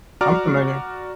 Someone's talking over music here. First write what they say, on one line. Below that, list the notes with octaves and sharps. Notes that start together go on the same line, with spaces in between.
I'm familiar.
F#4 D5 A#5 D6 F6